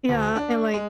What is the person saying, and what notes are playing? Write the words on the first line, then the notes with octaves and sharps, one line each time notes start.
Yeah, and, like,
D2
D4
G#3